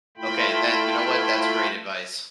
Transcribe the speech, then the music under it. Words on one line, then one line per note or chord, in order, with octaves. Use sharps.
Okay, that you know what, that's great advice.
A3 E4 F4 G5 B5